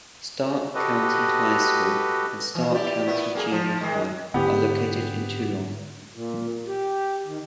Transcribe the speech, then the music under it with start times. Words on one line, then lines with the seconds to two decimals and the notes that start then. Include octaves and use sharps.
Stark County High School and Stark County Junior High are located in Toulon.
0.75 F#4 G4 A4 B4 D#5
2.55 E3
2.74 E4 G4 D5
3.07 A#2 B3 E4
3.35 A#3 G4 G#4
3.52 F3
3.81 D#3 G#3
4.34 G#2 D3 B3 G4
6.12 A#2
6.67 G4
7.26 D#3